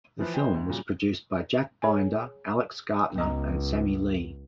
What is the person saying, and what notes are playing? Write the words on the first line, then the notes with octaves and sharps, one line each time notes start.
The film was produced by Jack Binder, Alex Gartner and Sammy Lee.
E3 F3 B4
B4 C5 D#5 G5 G#5
D2
G2 A#2 C#3 F#3
G#4 C#5 G#5
C#2 B3 D#5 A#5